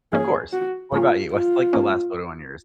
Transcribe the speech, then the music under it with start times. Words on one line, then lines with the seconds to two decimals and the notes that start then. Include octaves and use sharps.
Of course, what about you, what's, like, the last photo on yours?
0.13 G#2 F3 A#3 C#4 G#4
0.53 F#4
0.92 G#2 F3 A#3 C#4 F4
1.33 F4
1.73 G#2 F3 A#3 C#4